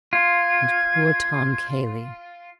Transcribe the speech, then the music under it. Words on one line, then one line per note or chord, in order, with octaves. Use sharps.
And poor Tom Cayley!
F4 G#6